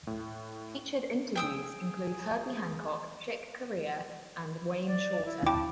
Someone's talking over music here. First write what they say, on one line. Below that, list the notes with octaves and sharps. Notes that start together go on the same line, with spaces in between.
Featured interviews include Herbie Hancock, Chick Corea, and Wayne Shorter.
A2
G#4 G5 D#6 E6
D5
E4
E4 G5 A5 D6